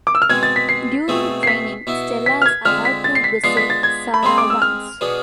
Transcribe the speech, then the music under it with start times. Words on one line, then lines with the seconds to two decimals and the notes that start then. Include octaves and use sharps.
During training Stella is allowed to visit Sarah once.
0.07 D6
0.15 E6
0.22 F6
0.30 B2 G#3 C4 G#4 G#6
0.43 A6
0.56 B6
0.69 C7
1.08 B2 A3 C4 G#4
1.43 C7
1.47 B6
1.87 B2 B3 E4
2.26 B6
2.42 F6
2.46 G#6
2.65 D3 G#3 C4 F4 F6
2.85 B6
3.04 A6
3.15 C7
3.24 B6
3.44 G#3 B3 D4 F4 C7
3.57 B6
3.70 A6
3.83 G#6
4.14 B5
4.23 G#3 C4 G#4 C6
4.38 D6
4.50 E6
4.62 F6
5.01 B2 B3 D4 G#4